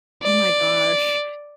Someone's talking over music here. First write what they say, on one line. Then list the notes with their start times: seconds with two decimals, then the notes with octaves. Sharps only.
Oh my gosh.
0.23 D5